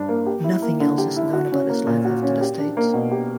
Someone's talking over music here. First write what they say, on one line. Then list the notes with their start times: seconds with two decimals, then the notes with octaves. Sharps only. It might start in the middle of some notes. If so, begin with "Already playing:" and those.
Nothing else is known about his life after this date.
Already playing: G2 D4
0.09 A#3
0.26 G4
0.44 E4
0.62 A#3
0.80 D3
0.98 G4
1.16 E4
1.33 F#4
1.52 C#4
1.69 A#3
1.87 A#2
2.05 F#4
2.23 C#4
2.41 G4
2.59 D4
2.77 A#3
2.94 B2
3.11 G4